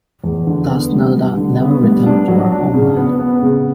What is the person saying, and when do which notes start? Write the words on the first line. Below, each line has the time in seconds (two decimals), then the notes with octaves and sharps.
Thusnelda never returned to her homeland.
0.24 E2
0.47 D3
0.70 B3
0.92 G3
1.14 G3
1.37 D3
1.61 B3
1.83 G3
2.06 D4
2.28 F#3
2.52 D4
2.74 C#3
2.97 B3
3.19 B3
3.42 C#3